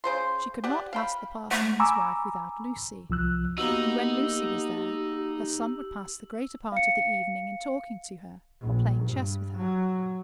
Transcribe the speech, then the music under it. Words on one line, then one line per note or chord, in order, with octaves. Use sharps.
She could not ask the parson and his wife without Lucy; and when Lucy was there, her son would pass the greater part of the evening in talking to her, or playing chess with her.
C#3 C5 C6
G4 D5 F#5
F5 G5 B5
A3 F#5
G#5 A#5 B5 C#6 D6 E6
C2 F3 E6 F#6
A#3 B3 D#4 F#4 G4 E6 F#7
F5 C#7
A#1
G2
F#3